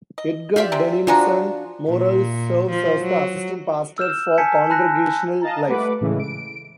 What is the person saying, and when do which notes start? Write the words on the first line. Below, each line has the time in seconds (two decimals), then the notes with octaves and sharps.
Edgard Danielsen-Morales serves as the Assistant Pastor for Congregational Life.
0.18 D#5
0.56 F4 G4 D5 E5 F5
0.72 C3 G#3 C4
1.07 F3 D4 F#4 C5 G#5 A#5
1.88 A#2
2.70 F3
3.02 F#3
3.98 E6 F6 G6 E7
4.38 G#5 A5 G6 G#6 B6 C#7
4.70 A5 B5 F#6 A#6 C#7
5.41 D#5 F5 A5 A#5
5.68 G3 A3 B4 F#5 D6
6.01 A2 C#3 E3 G#3 A3
6.19 D7